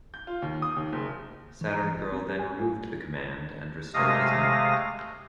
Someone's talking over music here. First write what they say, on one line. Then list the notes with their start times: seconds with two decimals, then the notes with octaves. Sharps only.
Saturn Girl then removed the command and restored his mind.
0.14 G6
0.27 F4
0.42 D#2
0.62 D#6
0.77 D#2
0.92 F#1
1.61 E3
1.74 A#5
1.95 G1
2.12 C4
2.27 G4
2.39 G#5
2.60 F4
3.94 C3 G#3 A3 F5 D#6 A#6